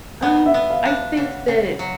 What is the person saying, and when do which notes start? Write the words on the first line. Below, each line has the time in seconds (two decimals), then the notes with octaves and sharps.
Um, I think that
0.22 B3 F#5
0.46 E5
0.54 B3
0.70 F5
0.85 D4
1.17 C#3
1.48 C#3
1.79 F#3